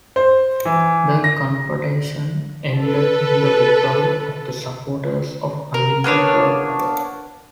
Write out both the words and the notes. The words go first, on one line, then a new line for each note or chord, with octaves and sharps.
The confrontation ended in the victory of the supporters of unlimited royal power.
C5
E3
A#6
A4 B4
A#4
A#3 B3 D4 C#5